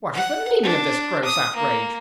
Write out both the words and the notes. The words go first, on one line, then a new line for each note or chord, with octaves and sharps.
'What is the meaning of this gross outrage?
F#5
D4
D#6
A#3